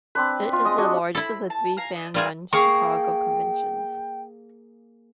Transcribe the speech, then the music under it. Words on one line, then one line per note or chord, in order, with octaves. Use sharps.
It is the largest of the three fan-run Chicago conventions.
C4 D4 B4
F4
G#3 D#5 D#6
D4 F#4 D#5
C4 E4 A4 B5
A5
F5 G#5 A#5
D4 D#5
G3 C4 F4 F#4 G#4 A#4
A#3 G#4 F5 G5 C#6